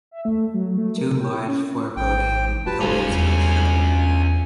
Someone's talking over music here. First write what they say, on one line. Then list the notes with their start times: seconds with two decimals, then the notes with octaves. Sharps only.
Two large, foreboding pillars are shown.
0.11 E5
0.25 A3
0.54 F#3
0.78 A3
0.98 A#4
1.21 G5
1.48 C#4
1.96 A1 G5
2.66 F1 F#3 F4 G4 B4 A5
2.81 D2 G2 C#4 F4 A4 G#5
3.10 E2